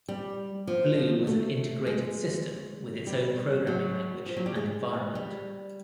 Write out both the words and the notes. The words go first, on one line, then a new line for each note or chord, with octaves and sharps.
Blue was an integrated system with its own programming language and environment.
G3
F3
A3
G#3
G3
F#3
F3
F#3
G3
G#3
G3